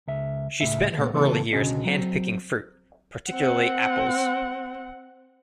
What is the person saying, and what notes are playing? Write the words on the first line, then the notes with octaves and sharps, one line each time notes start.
She spent her early years handpicking fruit, particularly apples.
C#2 E5
C#2 A2 E5
C2 A#2 A3 B3
C#3 E3 A3 B3 G#4 A4
C#2 B2 D3 C#4 F#4 D#5
F#3 C4
C4 F#5